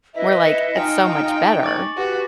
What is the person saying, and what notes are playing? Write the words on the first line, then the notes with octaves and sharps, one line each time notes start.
we're like, "It's so much better."
E4 B4 D#5 E5
C#7 E7
D#4 F4 F5 G5 G#5
C#6 D6 A6 F#7
F#4 G4 B4